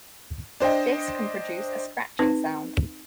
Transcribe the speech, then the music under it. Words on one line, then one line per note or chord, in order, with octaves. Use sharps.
This can produce a scratching sound.
D4 C5 D#5 G5
C4 D#4 B4